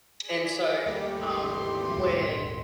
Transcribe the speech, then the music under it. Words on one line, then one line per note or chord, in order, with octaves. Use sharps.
And so, um, when
G#4 D5
D#2 G3 A3 G4
G#1 E3 C6
D#1